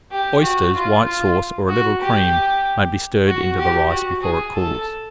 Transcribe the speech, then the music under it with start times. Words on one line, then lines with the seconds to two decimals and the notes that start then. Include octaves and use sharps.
Oysters, white sauce, or a little cream, may be stirred into the rice before it cools.
0.11 G4
0.42 F#4
0.74 F4
1.05 F4
1.68 F#4
2.00 G4
3.27 F#4
3.58 G4
3.90 F#4
4.22 G#4
4.54 A4